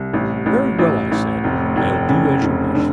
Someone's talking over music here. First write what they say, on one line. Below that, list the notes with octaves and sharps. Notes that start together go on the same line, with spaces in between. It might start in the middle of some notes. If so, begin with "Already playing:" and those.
"Very well," I said; "I'll do as you wish."
Already playing: C2
A1
A1
A1
A1
F1
F1
C#3
F1
D3